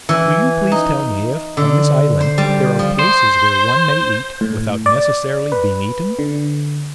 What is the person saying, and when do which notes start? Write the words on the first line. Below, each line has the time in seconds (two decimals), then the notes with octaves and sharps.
"Will you please tell me if, on this island, there are places where one may eat without necessarily being eaten?"
0.09 E3
0.72 D#4
1.57 D3
2.21 C5
2.38 G3
2.79 F3
2.99 C5
4.41 A2
4.86 D5
5.52 B4
6.19 D3